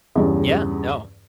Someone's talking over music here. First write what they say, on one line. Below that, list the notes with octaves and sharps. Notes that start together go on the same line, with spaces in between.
Yeah, no.
E2 G2 C#3